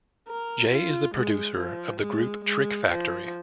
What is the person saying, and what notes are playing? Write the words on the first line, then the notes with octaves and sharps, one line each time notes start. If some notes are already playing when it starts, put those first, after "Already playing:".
Jay is the producer of the group Trick Factory.
A#4
F4
G#3
F3
G#3
G#3
F3